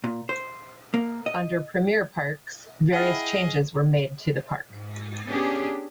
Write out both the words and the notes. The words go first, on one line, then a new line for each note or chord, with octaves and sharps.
Under Premier Parks, various changes were made to the park.
A#2
C5
A#3
D#5
E4 G#4 D#5 F#5 G5 F6
G#2
B3 C#4 D4 G4 G#4